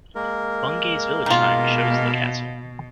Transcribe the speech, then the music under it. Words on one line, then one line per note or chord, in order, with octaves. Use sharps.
Bungay's village sign shows the castle.
G#3 A#3 A#4
B2 D#3 F4